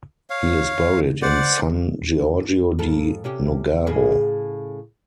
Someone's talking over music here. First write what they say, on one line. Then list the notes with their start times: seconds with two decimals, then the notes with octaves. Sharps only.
He is buried in San Giorgio di Nogaro.
0.30 C#5 F5
1.22 C5 D5 F#5
2.79 F2 G#2 A4
3.24 C3 C#4 G4
3.87 A2 C#3 G#4